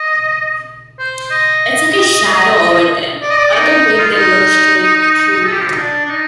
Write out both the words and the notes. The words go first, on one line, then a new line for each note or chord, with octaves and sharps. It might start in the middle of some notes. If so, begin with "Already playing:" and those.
It's like a shadow over them, or the way they look straight through you.
Already playing: D#5
C5
D#5
D5
D#5
D5
D#4
D#4
F4
D#4
A4
G4
F4
D#4
D4
D4
D#4